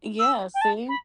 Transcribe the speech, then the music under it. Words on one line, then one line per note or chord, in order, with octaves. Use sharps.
Yeah, see.
E6
G5
A5
B5